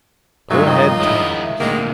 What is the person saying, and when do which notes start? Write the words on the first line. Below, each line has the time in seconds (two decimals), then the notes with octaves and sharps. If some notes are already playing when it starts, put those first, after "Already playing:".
Go-ahead Times!
0.51 G2 F#3 G#3 A3 D#4 F4
0.67 D#3 F3 D#5
1.01 G#3 E4
1.60 D2 A#2 D#3 G#3 A#3